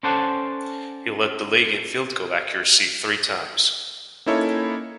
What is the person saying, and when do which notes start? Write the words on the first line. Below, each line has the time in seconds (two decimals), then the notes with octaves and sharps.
He led the league in field-goal accuracy three times.
0.03 C#4 A4 C5 D5 F#5 A5
4.26 A#3 C#4 D#4 E4 A4 C#5